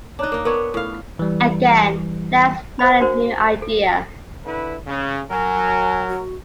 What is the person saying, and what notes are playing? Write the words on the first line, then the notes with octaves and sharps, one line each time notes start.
Again, that's not a new idea.
D4 D#4 C#5 A#5 F#6
A#3 D#4
B3 D4 A#4 C#5
A2 F5
E3 G3
C5 F5 B5
D4 F#4 A#4 C5
A4
D3 E4 B4
C#3
F#3 A#4 G#5
F#4